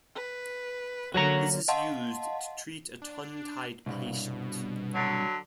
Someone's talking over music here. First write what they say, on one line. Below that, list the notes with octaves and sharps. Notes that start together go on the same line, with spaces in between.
This is used to treat a tongue tied patient.
B4
D3 F#3 A#3 F#4 C#5 A#5
D#5 F5 F#5 A5 C6
D4
C2 G2 B2
D3 F#3